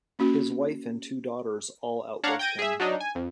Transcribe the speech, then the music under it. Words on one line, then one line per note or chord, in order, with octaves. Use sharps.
His wife and two daughters all outlived him.
A#3 C#4 F#4
D4 C#5 F5 F#5 A#5
G5 G6 G#6 A#6 D7 D#7
G#4 E5
F#3 D4 D#4
G#5
F2